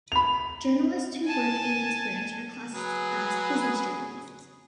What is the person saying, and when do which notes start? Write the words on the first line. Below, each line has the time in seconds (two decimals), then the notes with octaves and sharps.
Journalists who work in this branch are classed as "business journalists".
0.12 B5 F7
1.24 G#5 A5
2.74 F#3 G#4 B4